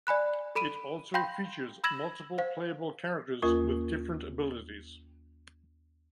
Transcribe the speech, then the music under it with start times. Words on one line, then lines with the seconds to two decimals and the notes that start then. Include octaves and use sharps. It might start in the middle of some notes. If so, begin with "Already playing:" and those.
It also features multiple playable characters with different abilities.
0.07 D5 G#5 B5 F#6
0.55 A4 B5 D7 D#7
1.14 F5 G5 B5 C6 G6 A#6
1.84 B5 E6 G#6 A#6 E7 F#7
2.38 C5 F5
3.42 D#2 A#3 F4 A#4 C#6